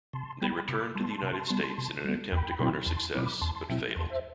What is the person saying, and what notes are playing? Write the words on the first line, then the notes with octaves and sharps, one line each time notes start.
They returned to the United States in an attempt to garner success, but failed.
C3 A5 C6
G3 B3 G5 B5
C3 B5 D6
G3 B3 A5 C6
C3
G3 B3
C3
G3 B3
E2 G5 B5
B2 F#3 C4 E4
E2 A5 C6
B2 F#3 C4 E4 B5 D6
E2 A5 C6
A5 C6
B2 F#3 C4 E4 E5 G5
E2 A5 C6
C5 E5